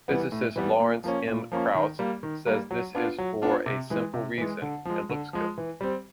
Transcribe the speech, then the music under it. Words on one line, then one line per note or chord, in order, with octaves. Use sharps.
Physicist Lawrence M. Krauss says this is for a simple reason: it looks good.
E3 G3 B3
A2
E3 G3 B3
A#2
F3 A#3 C#4
A#2
F3 A#3 C#4
D#3
G3 A#3
D#3
G3 A#3
F#3
B3 D4 F4
F#3
B3 D4 F4
C3
E3 G#3
C3
E3 G#3
D3
F3 G#3
D3
F3 G#3
E3
G3 C4